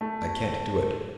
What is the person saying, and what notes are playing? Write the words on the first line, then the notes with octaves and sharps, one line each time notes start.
I can't do it.
A3